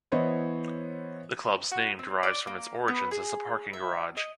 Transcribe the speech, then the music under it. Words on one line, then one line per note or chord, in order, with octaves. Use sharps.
The club's name derives from its origins as a parking garage.
E3 B3 E4 C5 C#5 D#5
F#4
C4
D5
A#3
B3
G#4
E5
D#5